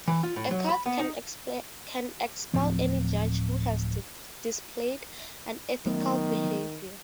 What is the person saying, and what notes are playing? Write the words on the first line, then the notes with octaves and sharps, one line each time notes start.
A Court can expel any judge who has displayed unethical behavior.
E3
F4
A2
F#3
B5
B3
D#4
D1 A2 F3 C4
D#3 F#3 A3 B3